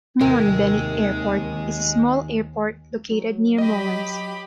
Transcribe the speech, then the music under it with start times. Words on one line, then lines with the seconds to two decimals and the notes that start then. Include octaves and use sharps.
Montbeugny Airport is a small airport located near Moulins.
0.21 D#2 C3 D#3 G#3 A#4
3.11 F#3
3.58 G4 D#5 B5